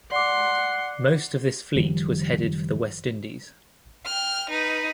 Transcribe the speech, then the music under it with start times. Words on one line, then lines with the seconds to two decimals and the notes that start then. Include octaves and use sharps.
Most of this fleet was headed for the West Indies.
0.12 D5 F#5 C6 D6
1.76 F#1 D#3 F3 G3
4.06 G5 F6
4.50 D#4 B4